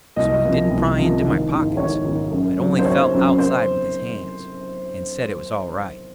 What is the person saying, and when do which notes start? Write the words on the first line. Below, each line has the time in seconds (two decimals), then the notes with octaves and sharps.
So he didn't pry into my pockets, but only felt outside with his hands, and said it was all right.
0.16 C2 D#5
0.43 C3 F3 A#3
0.70 C2
0.97 C3 F3 A#3
1.24 G#1
1.51 G#2 D#3
1.77 G#1 C#5
2.04 G#2 D#3
2.30 F#2
2.58 C#3 F#3 C4
2.79 C5
2.84 F#2 C#5
3.12 C#3 F#3 C4
3.38 C5